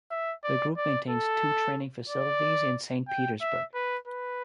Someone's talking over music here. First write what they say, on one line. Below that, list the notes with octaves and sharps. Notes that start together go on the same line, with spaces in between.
The group maintains two training facilities in Saint Petersburg.
E5
D5
D5
A4
D5
G5
E5
B4
B4